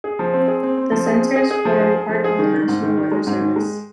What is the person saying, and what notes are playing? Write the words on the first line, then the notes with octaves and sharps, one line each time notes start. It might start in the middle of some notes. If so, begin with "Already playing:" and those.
The centers form part of the National Weather Service.
G#4
F3
C4
G#4
C4
C4
F3
G#4
C4
G#4
G#4
F3
G#4
G#4
F3
G#4
D#3
D#3
G#2
D#3
D#3
G#3
G#2
D#3
G#3